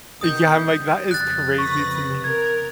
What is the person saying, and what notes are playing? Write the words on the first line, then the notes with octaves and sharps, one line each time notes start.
Eh, yeah, I'm like that is crazy to me.
B2 D#3 D#6 G6
G3
F2 C#3 F#6 A6
B4 C#6 A#6
A#4 G#6